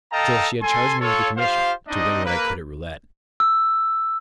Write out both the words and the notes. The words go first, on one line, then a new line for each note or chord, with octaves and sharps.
Still, she had charged me with a commission--to win what I could at roulette.
A4 D#5 F5 G5 A5 A#5
A4 G#5 C6
F4 A4 C#5
F4 G4 C5 F5
C4 D4 D#4 D#5
A#3 B4
E6